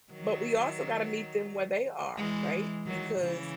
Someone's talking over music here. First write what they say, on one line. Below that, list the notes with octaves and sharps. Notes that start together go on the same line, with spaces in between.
But we also gotta meet them where they are, right? Because
D#3 F#3
E3 G#3
D#3 F#3
C#3 E3